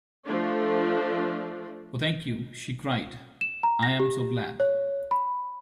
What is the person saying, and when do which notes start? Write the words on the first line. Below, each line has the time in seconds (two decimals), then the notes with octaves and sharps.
Oh thank you! she cried. I am so glad!
0.25 F3 A3 D4
3.41 E7
3.63 A#5
3.83 A#6
4.00 G4
4.60 C#5
5.11 B5